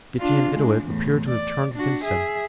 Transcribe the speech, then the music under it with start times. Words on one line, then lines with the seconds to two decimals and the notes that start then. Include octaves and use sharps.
Getanittowit appeared to have turned against him.
0.19 D4 F4
0.55 G#3 D4
0.84 E2 A2
1.29 D5
1.74 D4 F#4
2.04 G#4 E5